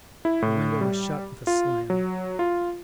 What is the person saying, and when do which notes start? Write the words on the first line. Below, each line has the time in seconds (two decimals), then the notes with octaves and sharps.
The window was shut with a slam.
0.25 E4
0.42 A2
0.81 G3
1.47 F4
1.90 F#3
2.39 F4